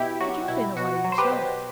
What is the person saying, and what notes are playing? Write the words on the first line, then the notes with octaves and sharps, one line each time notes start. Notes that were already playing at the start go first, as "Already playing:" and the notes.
But you've been away yourself.'
Already playing: B2 E4 G4
F#3 F#4
B2 E4
B2 F#4
F#3
C5
G4 B4
B2